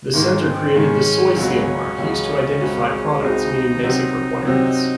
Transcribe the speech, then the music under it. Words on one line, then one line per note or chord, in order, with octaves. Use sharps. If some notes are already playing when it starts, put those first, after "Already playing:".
The center created the SoySeal mark used to identify products meeting basic requirements.
G#2 D#3 G#3 A#3
C4
G#2 D#3 G#3 C#4
C#2 C#3 F#3 C#4
C#2 C#3 F#3
C#2 C#3 G#3 C4 F#4
C#2 C#3 G#3 C4 D#4 F#4
C3 F#3 C4 D#4
C3 F#3 C4 D#4